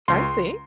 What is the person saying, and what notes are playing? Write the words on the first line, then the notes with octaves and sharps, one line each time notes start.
I see.
C#2 C6